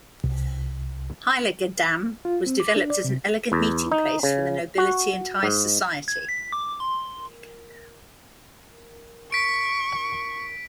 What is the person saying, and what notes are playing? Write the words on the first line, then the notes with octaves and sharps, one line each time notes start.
Heiligendamm was developed as an elegant meeting place for the nobility and high society.
C2
F4
C4
D6
D4
D5
C3
E2
D#4
C#3
F#4
G#2
G#6
B6
D6
C6
C#6 B6 D7